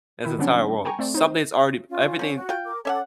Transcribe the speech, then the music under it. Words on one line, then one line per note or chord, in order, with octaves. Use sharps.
in this entire world. Something's already everything
D#3 E4
D3 F3 F#3 B3 C#4 D4
G3
G5 G#5 A#5 C#6
A3 C4 D5
D#4 C5
C#4 F4
F3 C#4
F#4
F4 G5
A#4 D6
C#4 A4 E5 F#5 D6